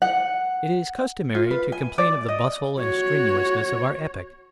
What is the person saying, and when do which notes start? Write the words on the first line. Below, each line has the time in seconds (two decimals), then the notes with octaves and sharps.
It is customary to complain of the bustle and strenuousness of our epoch.
0.02 F#5
1.35 F4
1.51 B4
1.72 G#5
1.98 D5
2.28 D#5
2.80 F#4 C#5